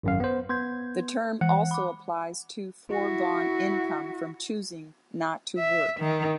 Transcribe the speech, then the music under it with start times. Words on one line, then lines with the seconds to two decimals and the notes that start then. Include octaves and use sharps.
The term also applies to foregone income from choosing not to work.
0.03 G#1 F#2 F5
0.20 B3 C5
0.49 B3 C6 G6 G#6
1.41 E3 F#5 F#6
1.71 B5 D6
2.90 E4 F#4
5.58 E5
6.00 D#3